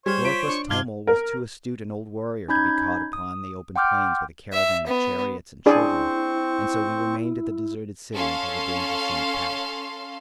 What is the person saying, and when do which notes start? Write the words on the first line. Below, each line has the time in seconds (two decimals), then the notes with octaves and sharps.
Lorquas Ptomel was too astute an old warrior to be caught upon the open plains with a caravan of chariots and children, and so we remained at the deserted city until the danger seemed passed.
0.06 G3 G#4 C5 C#5 F6 G#6
0.25 F4 B6 D7
0.48 D4 C#6
0.70 G2 D4 D#4 F4 F6 G#6 G7
1.07 A#4
2.48 C#4 D#4 B5 G6 G#6
3.13 D#6
3.76 F#5 G5 C6 D6 F6 G6
4.53 E5
4.87 B3
5.66 C4 D4 E4 G#4 C5 D5 C#6
8.14 C#4 A4 F5 C6